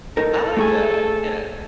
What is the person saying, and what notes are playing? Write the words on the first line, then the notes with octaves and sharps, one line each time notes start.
I like that. Yeah.
D#4 A4 A#4
A3 G#4 G#5